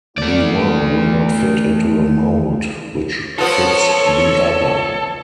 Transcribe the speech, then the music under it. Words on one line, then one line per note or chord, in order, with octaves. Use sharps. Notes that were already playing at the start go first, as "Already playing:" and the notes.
The one will not fit into a mould which fits the other.
A3 D5
F3 B3 F4 A4 C#5